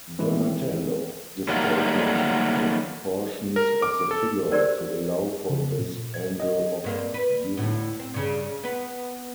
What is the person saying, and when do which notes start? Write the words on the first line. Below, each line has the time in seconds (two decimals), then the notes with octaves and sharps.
Donatello distorted the proportions of the figure to allow for this angle of view.
0.19 D#3 E3 G#3 C4
1.48 D#3 F#3 G3 A3 A#3
3.56 A#4
3.82 D6
4.11 A4
4.52 G4 G#4 A#4 C5 D5 E6
5.49 C#3
5.79 A#2
6.14 G#6
6.40 D#5
6.84 G2 A#3 C4
7.14 B4
7.57 D2 A2
8.00 C4
8.14 G2 C#3
8.63 B3 B4